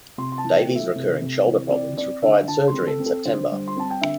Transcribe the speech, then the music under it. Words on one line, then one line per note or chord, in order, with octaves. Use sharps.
Davies' recurring shoulder problems required surgery in September.
C3 C6
C6
A5
E3
G5
A3
E5
C3
C3
E3
C4 D5
C4 D5
D3 E5
D3 A5
C6
C4
A4
C4
A4
D3 C5
G3
C6
C4 A5
G5
D3 E5